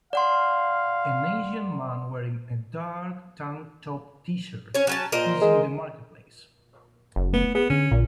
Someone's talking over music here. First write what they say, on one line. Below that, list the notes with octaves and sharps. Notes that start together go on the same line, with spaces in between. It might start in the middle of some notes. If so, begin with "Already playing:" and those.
An Asian man wearing a dark tank top tshirt is in the marketplace.
D5 F5 F#5 C6
C#4 C#5
F#3 C#4 A5
A#2 A#4 C5 D#5
G#3
F#1
A3 B3
B3 G#4
D3 C#4
A#1 A#2